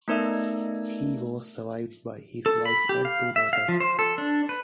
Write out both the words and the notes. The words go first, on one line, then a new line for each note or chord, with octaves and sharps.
He was survived by his wife and two daughters.
A3 B3 D#4 A#4 D5 E5
A4
B5
G4
F5
E5
F5
F3
C5
A4
D4
B4